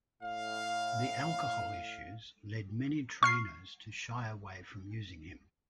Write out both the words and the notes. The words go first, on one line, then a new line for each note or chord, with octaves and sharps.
The alcohol issues led many trainers to shy away from using him.
A2 F5
C#6 F6 C7